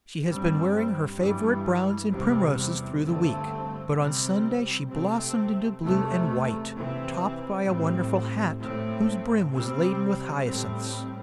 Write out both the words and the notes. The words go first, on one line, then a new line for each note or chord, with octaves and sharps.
She has been wearing her favourite browns and primroses through the week, but on Sunday she blossomed into blue and white, topped by a wonderful hat, whose brim was laden with hyacinths.
G2 G3 C4
G2 E3 G3
E2 C3 G3 C4
G2 D3 A3 C4
C3 G3 C4
C3 A3 C4
E2 C3 A3
C3 E3 C4
A2 G3 C4
A2 A3 C4
C3 G3 C4
A2 G3 C4